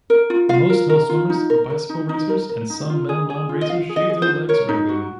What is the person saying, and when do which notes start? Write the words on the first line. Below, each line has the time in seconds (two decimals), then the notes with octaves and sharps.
Most male swimmers, bicycle racers, and some male non-racers shave their legs regularly.
0.10 A#4
0.30 F4
0.49 F4 F5
0.70 A#4
0.89 A#4
1.09 F4
1.30 D#4
1.50 A#4
1.70 A#4
1.89 D#4
2.09 D#4
2.29 A#4
2.49 A#4
2.70 D#4
2.89 F4
3.09 G#4
3.30 G#4
3.49 F4
3.61 D#5
3.69 F4 F5
3.89 G#4
3.96 D#5
4.09 G#4
4.22 C5
4.29 F4
4.49 A#4 C#5
4.69 D#4
4.89 F#4